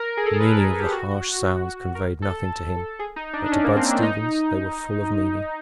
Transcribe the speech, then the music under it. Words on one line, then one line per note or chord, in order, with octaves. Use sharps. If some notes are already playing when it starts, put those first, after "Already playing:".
The meaning of the harsh sounds conveyed nothing to him, but to Bud Stevens they were full of meaning.
Already playing: A#4
G#4
A4
A#4
B4
B4
A#4
G4
F#4
A#4
A4
G#4
D#4
D4
D4
C#4
A#3
C4
D4
D#4